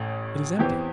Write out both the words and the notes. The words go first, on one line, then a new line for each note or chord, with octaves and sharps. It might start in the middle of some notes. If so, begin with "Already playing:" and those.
It is empty.
Already playing: A1 A2 A3
E2 E3 C4 G4